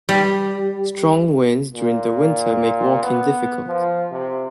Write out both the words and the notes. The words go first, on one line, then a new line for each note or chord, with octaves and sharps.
Strong winds during the winter make walking difficult.
G3
A#2
B3
F3
C3